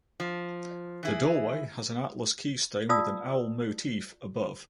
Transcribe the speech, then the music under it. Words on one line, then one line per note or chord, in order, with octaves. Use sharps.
The doorway has an Atlas keystone with an owl motif above.
F3
E3 E4 G#4
F4 D5 F5 A5 D#6 E6